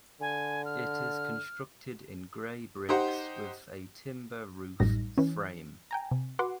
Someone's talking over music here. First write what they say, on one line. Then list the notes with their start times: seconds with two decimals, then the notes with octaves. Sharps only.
It is constructed in grey bricks with a timber roof frame.
0.21 D3 G#5
0.65 F6
2.89 D#4 G4 C5 F#5
4.80 A1 F#2 A2 G3 D#4 A#6
5.18 E3 C#4
5.91 G5 G#5 A#5
6.11 C3
6.39 F#4 B4 F#5 C6 D6